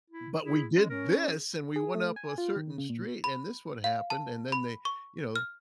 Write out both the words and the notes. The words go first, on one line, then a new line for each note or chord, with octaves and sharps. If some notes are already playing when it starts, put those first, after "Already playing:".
"But we did this, and we went up a certain street, and this would happen," and then they, you know
E4
E4 G#4
G#3 C#4
C#4 A#4
G#4
G#4
A3
G#5
F4
D#3
C#3
A#2
B5
F5
A5
B5
C#6
F6